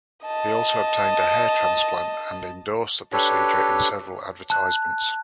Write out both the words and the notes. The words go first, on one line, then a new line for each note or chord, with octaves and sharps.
He also obtained a hair transplant and endorsed the procedure in several advertisements.
D#5 A5
D4 G4 A4 B4 C#5
A5 F#6